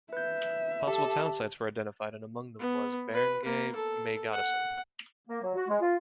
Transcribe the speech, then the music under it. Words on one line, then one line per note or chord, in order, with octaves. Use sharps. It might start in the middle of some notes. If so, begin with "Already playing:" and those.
Possible town sites were identified and among them was Barangay Maygatasan.
B4 E5 G6
G4 A4 A5
B3
B4
A#3
A4
F#5
A#3
F#3
F#4
G#3
F4